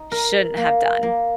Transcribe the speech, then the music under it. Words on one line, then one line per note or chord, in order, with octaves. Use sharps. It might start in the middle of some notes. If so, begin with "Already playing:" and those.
shouldn't have done?
Already playing: D#4
A#4
A#3
A#3